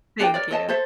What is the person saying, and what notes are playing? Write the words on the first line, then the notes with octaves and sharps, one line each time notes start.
Thank you.
D4 A4 A#4 G5
A#4 C#5 D5
A4 C#5 D#5 A5
A4 C5 E5